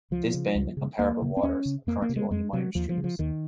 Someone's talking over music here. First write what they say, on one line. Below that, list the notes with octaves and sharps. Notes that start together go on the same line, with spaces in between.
This bend, and comparable waters, are currently only minor streams.
C#2 F3
C#3
C#2
C#3
D#2 A#3
C#3
C4
D#2 C#4
C#3
F2 A#3
A#3
C3
G#3
F2 G#3
C3 F#3
D#2 F3
F3
C#3
F3
D#2 D#3